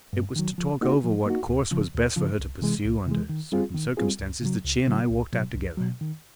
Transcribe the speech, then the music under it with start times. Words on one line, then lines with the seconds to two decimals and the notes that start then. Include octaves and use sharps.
It was to talk over what course was best for her to pursue under certain circumstances that she and I walked out together.
0.13 G2
0.36 D#3 F#3
0.58 F3
0.81 A#3 D#4 F#4
1.04 F3
1.26 A#3 D#4 F#4
1.48 D2
1.71 C#3 F3
1.94 D2
2.16 C#3 F3
2.39 C2
2.62 C3 E3 G#3
2.85 C2
3.06 C3 E3 G#3
3.29 D#3
3.52 G3 C4 F4 G#4
3.74 D#3
3.97 G3 C4 F4 G#4
4.20 C#2
4.42 C#3 F#3
4.65 C#2
4.87 C#3 F#3
5.10 C2
5.33 B2 F#3
5.55 C2
5.77 B2 F#3
6.01 D#3